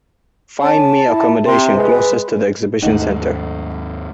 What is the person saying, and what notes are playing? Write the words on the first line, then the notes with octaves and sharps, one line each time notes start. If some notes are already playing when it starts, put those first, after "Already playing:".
Find me accommodation closest to the exhibition center.
C#4 A5
E4
C3 C6
G#3 B4
D#2 G#2 A3 D#4 F#5